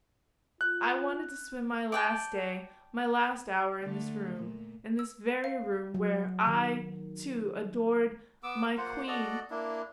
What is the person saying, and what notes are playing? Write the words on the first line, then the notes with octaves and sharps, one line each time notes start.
I wanted to spend my last day, my last hour in this room, in this very room ... where I, too, adored ... my queen....
F4 F#6
D5 G5 A5
D3 A3
A#2
E6
F5
F#3
D#3
B3 D6 E6
A#3 F4 C5 F#5
F#4 A4 D5 D#5
A#3 D4 E4